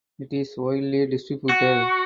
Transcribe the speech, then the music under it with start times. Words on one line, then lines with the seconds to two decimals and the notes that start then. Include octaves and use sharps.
It is widely distributed.
1.49 F#4